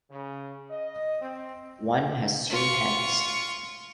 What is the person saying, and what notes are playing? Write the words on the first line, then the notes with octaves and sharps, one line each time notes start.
One has two heads.
C#3
D#5
C4
F4 C#6